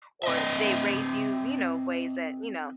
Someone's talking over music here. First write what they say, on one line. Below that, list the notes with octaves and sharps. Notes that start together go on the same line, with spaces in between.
or they raise you, you know, ways that, you know
C4 D#5 E5